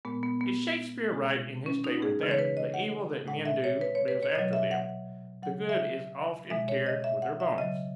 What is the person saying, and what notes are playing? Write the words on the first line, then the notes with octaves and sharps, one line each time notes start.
Is Shakespeare right in his statement that "The evil that men do lives after them; the good is oft interred with their bones"?
A#2 G#3 B3
B3
B3
B2 G#3
C#4
D#4
G#4
C#3 E3 G#3
C#5
B4
D#5
F#5
A#2 G#3 F#5
E5
C#5
B4
C#5
B4
C#5
B2 F#3 D#5
E5
F#5
C#3 F#3 F#5
E5
B2 G#3 E5
C#5
D#5
E5
F#5
E5
C#3 F#3 D#5